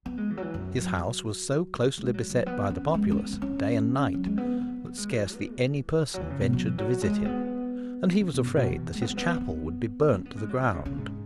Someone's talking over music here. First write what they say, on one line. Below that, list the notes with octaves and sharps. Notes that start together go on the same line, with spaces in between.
His house was so closely beset by the populace, day and night, that scarcely any person ventured to visit him; and he was afraid that his chapel would be burned to the ground.
B3
G#3
E3
F#3
E3
F#2
F#3
G#3
F#3
F#3
B3
C#4
G#3
C#4
B3
B3
C#4
F#3
G#3
B3
B3
B3
G#3
F#3
E3
B3
E3
F#3
E3
C#3
B2
F#3
E3
F#3
G#3
B3
C#4
B2
G#2
B2
E3
G#3
B3
G#3
B3
B3
C#4
B3
G#3
F#3
E3
C#3
C#3
G#2